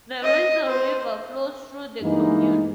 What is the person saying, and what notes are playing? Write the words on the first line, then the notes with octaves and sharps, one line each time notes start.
The Risle river flows through the commune.
D#5
C5
G2 E3 G#3 A#3 D#4